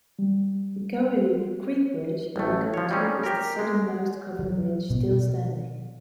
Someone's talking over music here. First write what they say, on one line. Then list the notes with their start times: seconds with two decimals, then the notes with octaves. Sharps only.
The Cohelee Creek Bridge in the county is the southernmost covered bridge still standing.
0.19 G3
2.36 A1 A3
2.74 F3 C#5
2.91 G3 C4 C#4 D#4
3.23 G4 A#4
3.59 G#3
4.39 F#3
4.90 B2